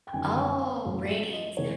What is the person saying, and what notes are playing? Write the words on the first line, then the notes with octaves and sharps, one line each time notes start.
Oh, ratings.
G5
G1 F#2 D#3 G3 G#5
G5
F5
A1 A2 F#3 A3 F5
E5
D#5
C3 E3 G#3 C#5